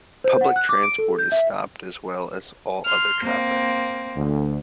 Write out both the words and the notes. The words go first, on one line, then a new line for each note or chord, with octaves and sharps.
Public transport is stopped as well as all other traffic.
C5
F#5
F#6
D6
D7
A4
G6
E5
C6 F6
A#3 C4
D2